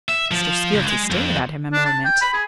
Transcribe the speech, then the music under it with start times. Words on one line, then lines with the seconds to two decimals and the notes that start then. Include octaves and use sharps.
Mr. Skeelty stared at him a moment.
0.09 E5
0.31 F3
0.73 C#2
0.87 G#3
1.10 F2
1.73 D4
1.85 A5
2.05 G5
2.22 B5
2.34 G#4